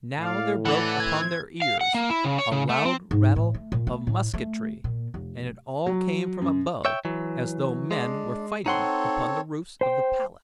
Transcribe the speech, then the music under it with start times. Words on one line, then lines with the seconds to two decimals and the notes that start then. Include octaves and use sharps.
Now there broke upon their ears a loud rattle of musketry and it all came from above as though men were fighting upon the roofs of the palace.
0.19 A2 D5 F5
0.65 E3 D5 F#5 A5
1.00 C4 G#6
1.62 F5
1.81 F#5
1.94 A#3
2.10 E4
2.24 C#3
2.39 C#5
2.52 C#3
2.69 A3
2.85 C4
3.11 G#2
3.36 A2
3.55 A3
3.72 A#2
3.87 A3
4.07 A2
4.34 A3
4.84 A#2
5.14 F1
5.86 F#3
6.41 F#2
6.85 C#5 E5 G5
7.05 E3 F#3
7.91 G#3 D4
8.66 C4 D#4 A4 C#5 F#5 C6
9.81 C5 G5